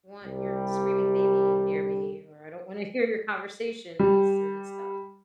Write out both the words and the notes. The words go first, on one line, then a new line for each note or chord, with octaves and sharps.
want your screaming baby near me," or, "I don't wanna hear your conversations and stuff."
C2 G3
G3